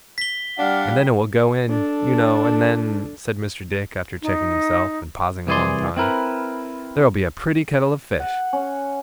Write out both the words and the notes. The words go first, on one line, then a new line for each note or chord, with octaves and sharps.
And then it will go in, you know--and then--' said Mr. Dick, after checking himself, and pausing a long time, 'there'll be a pretty kettle of fish!'
B6 G7
G3 D4 F5 F#5
D4 A4
D#4
C2 E3 G4 G#4 D5 C6
C4 E4 A#4 B4
F#5
C#4